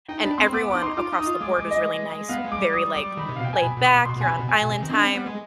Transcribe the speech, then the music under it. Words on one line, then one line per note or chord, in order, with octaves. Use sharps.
and everyone across the board was really nice, very, like, laid-back, you're on island time,
D#4 G5
D4 B5
C4 C6
B3 D6
D6
D#4
C6
F4 D6
D#4
D#6
F4
G#3 D6
D6
D#5
B3 F5
G#3
D6
G3
D#6
D6
D#3 B5
C3
F5
B2
G5
G#5
B2 B5
B2
D6
B2 C6
B2 G#5
C3 B5
B2
G#5
B2
C3
D#3
C4
D4
C4
B3
G#3